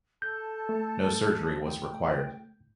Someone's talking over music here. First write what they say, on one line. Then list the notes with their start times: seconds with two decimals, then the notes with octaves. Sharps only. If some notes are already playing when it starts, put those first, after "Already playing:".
No surgery was required.
0.22 A4 A5 G6
0.69 A3
1.61 G5